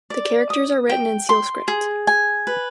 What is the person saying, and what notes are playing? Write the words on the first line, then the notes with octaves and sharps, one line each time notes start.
The characters are written in seal script.
D5
D#6
G5
C6
G#4
G#5
B4